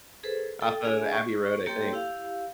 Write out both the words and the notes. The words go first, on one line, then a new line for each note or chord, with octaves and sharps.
Off of Abbey Road, I think.
G#4 A4 B4 C5
A4 G5
D4 G#4 E5 G#5
C#6
A#3 G4 A4 C#5 G5 C6
E4 G4 F5